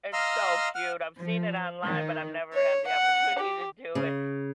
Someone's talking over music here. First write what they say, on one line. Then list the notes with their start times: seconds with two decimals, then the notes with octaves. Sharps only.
It's so cute. I've seen it online, but I've never had the opportunity to do it
0.13 D#5 F5 A#5 C6 E6 F6
0.75 F#5 F6
1.19 F3
1.84 D#3
2.53 C#5
2.87 F#5
3.39 G4
3.95 C#3